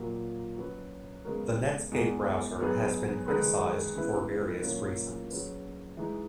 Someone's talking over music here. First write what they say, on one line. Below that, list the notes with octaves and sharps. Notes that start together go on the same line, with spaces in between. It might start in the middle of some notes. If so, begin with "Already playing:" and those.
The Netscape Browser has been criticized for various reasons.
Already playing: A#2 F#3 A#3
F#3 C#4 F#4 B4
C#3 G#3 B3 F#4 A#4
E2 B2 G#3 D#4
F#3 B3 D#4 G#4 B4
D#3 G#3 D#4 G#4 B4
C#3 G#3 B3 E4 B4
A#2 F#3 A#3 C#4
F#3 C#4 G#4 B4
E3 G#3 D#4